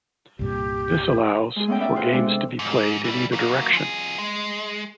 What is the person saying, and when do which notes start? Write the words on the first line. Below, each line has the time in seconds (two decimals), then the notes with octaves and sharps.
This allows for games to be played in either direction.
0.39 C2 G2 A#2 G4
1.56 G#3 G#4
1.68 A3 B3 C#4 D#5 G5
1.80 B4 D5 E5
1.96 F4 G#4 B4 C5
2.11 C3 G#3 D4 E6
2.28 A4
2.59 G#2
3.04 E3 G3
3.33 F#3 A#3
3.73 F3 G#4
4.18 G#3